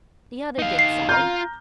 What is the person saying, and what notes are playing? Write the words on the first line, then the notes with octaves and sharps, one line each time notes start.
The other did so.
D#4 F5
C7
F4 A#5 F6 G6